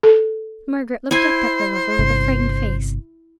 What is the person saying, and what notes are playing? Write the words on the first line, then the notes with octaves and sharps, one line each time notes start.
Margaret looked up at her lover with a frightened face.
A4
E4 C5 G#5
G1 C3